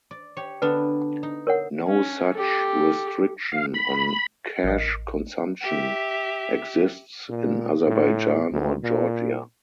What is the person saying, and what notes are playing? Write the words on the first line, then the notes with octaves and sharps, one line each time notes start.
No such restriction on khash consumption exists in Azerbaijan or Georgia.
D5
G4 C#5
D3 B3 D4 B4
D#4
A#4 C#5 F#5
C#4
G4 A4
F5
B5
A1 F3 A#4 D#5
G4 E5
A#2
A2
D2
A#2